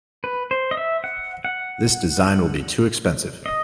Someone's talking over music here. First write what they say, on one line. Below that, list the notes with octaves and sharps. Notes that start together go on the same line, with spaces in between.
This design will be too expensive.
B4
C5
D#5
E5
F#5
F#5
D#5